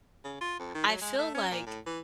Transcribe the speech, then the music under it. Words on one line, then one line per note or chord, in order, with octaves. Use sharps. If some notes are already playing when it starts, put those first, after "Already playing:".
I feel like,
C#3
F4
F2
D#3
F#3
G#3
A3
C#4
A#2
A2
E3